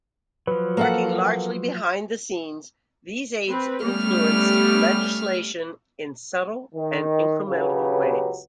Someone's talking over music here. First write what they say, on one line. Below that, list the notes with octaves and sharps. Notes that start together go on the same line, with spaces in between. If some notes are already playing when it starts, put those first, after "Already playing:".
Working largely behind the scenes, these aides influenced legislation in subtle and incremental ways.
F3 F#3 B4
A#3 A4 F#5
C4 B4
G3 A3 B3 C#4 F6
D#3
C#2 C#3 F#3 G4 B4